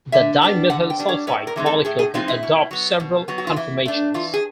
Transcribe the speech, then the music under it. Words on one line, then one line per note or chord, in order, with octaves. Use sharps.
The dimethyl sulfite molecule can adopt several conformations.
D3 E5
G3 B3 D4
D3 F#5
G5
G3 B3 D4
C#5
A2 B4
A#4
E3 G#3 C4 D#4
A4
A2 G#4
G#4
E3 G#3 C4 D#4 F4
E4
B2
F#3 B3
B2
F#3 B3
F#4
F4
E3 E4
A3 D4
E3 F4
G#4